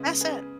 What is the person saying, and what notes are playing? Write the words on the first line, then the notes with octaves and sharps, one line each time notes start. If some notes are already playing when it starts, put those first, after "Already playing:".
That's it.
Already playing: C#3 G#3 B3
G#4 B4